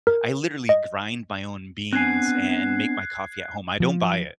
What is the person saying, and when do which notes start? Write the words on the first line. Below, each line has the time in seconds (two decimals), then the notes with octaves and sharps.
I literally grind my own beans and make my coffee at home, I don't buy it,
0.07 A#4
0.69 D#5
1.93 B3 C4 D4 G#5 F#6 G#6 C7
3.80 F3